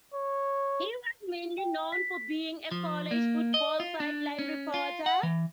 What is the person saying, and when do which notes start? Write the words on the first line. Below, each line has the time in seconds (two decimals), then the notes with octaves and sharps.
He was mainly known for being a college football sideline reporter.
0.14 C#5
1.58 G5
1.92 B6
2.71 F3
3.11 A#3
3.54 D#5
3.80 F4
4.00 D4
4.39 C#4
4.74 F4
5.06 F#5
5.23 E3